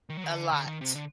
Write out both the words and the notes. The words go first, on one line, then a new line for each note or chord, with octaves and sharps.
A lot.
D#3
F#3
D#3
D3
D3
D#3
C3
D3